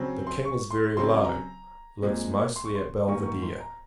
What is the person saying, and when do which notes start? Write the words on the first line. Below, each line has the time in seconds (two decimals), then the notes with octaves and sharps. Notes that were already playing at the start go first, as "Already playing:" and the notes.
The King is very low; lives, mostly, at Belvidere.
Already playing: C#3 F#3 C4
0.27 C6
0.45 C#6
0.71 C6
0.97 C#3 F#3 C4 C6
1.24 A#5
2.03 A#2 G#3 C4
2.56 C6
2.65 C#6
2.75 C6
3.08 G#2 D#3 A#3 C#6
3.26 C#6
3.43 C6
3.60 A#5